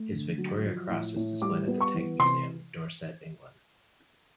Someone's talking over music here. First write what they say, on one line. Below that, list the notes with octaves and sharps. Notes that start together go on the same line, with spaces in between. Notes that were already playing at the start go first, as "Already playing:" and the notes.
His Victoria Cross is displayed at The Tank Museum, Dorset, England.
Already playing: A3
D3
F#3
F3
A2
A2
G3 D6
B3
C#6
E3
C3 C6